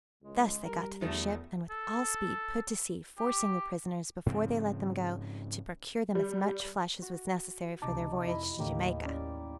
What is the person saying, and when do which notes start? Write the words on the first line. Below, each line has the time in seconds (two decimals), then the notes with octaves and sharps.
Thus they got to their ship, and with all speed put to sea, forcing the prisoners, before they let them go, to procure them as much flesh as was necessary for their voyage to Jamaica.
0.23 C#2 G#3
0.65 G3 A#4
1.01 E2 D#3 F3 A3
1.70 A4
3.18 G4
4.26 G#2 C#3 F3 C4
6.15 G3
7.02 F#4
7.82 C#2 C3 D#4 A5 D6
8.26 F2 E4 D#5
8.59 A1 D#2 A2 D3 A#3 G4
9.06 C#4 D5